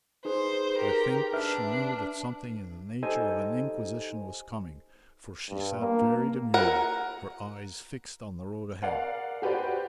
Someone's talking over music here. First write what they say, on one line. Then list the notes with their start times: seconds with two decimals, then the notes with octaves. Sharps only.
I think she knew that something in the nature of an inquisition was coming, for she sat very demure, her eyes fixed on the road ahead.
0.25 D#4 G#4 B4 C5
0.77 G4 A#4
1.33 D4 B4 E5 F6
3.03 D#4 G4 A4 C5 D#5 G#5
5.50 G2
5.81 A#3
6.54 A#4 F#5
8.83 A#4 D5 F5 F#5
9.42 F#4 G4 B4 C5 D5